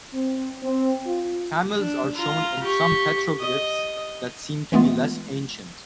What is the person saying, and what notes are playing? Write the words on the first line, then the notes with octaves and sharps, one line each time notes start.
Camels are shown in some petroglyphs that seem to be less ancient.
C4
C4
F4
D4
F4 A#5
G4 C#6
D#5
E3 G#3 A3 B3 F4